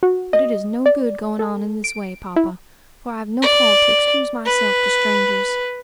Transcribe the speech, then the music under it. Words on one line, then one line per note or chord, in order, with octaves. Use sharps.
But it is no good going on in this way, poppa, for I've no call to excuse myself to strangers.
F#4
D#5
D5
A4
D7
E4
D5
B4